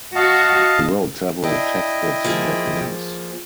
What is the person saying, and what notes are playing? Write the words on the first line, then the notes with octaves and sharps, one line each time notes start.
He wrote several textbooks in Japanese.
F#4 D#5 F5 A5
D4 E4 D#5 G5
F3 A#3 G#4